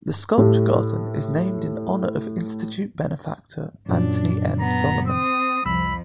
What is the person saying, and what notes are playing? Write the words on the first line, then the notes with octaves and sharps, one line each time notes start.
The sculpture garden is named in honor of Institute benefactor Anthony M. Solomon.
A2 A3 G4
F#2 A#2 F#3 D4
B3 A#5
C4 D#6
C2 F2 F3 B5 E6